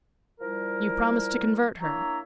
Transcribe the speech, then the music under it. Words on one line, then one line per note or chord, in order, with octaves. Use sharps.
"You promise to convert her?"
F3 G3 E4 A#4
A#3 D4 E4 C#5 E5 A#5